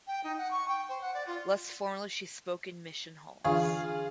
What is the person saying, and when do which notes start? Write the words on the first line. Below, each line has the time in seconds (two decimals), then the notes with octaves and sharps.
Less formally she spoke in mission halls.
0.07 G5
0.24 D#4
0.38 F#5
0.51 C#6
0.68 G5
0.89 C5
1.01 F#5
1.14 D5
1.27 F4
3.44 D3 E3 D4 F4 G#4